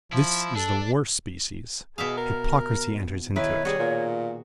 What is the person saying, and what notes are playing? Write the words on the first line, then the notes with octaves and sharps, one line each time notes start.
This is the worst species; hypocrisy enters into it.
F3 E4
D4 A4
B2 G#4 E5 F5
A#4
D#3 E4 B4 C#5
G3 F#4 G#4
A#2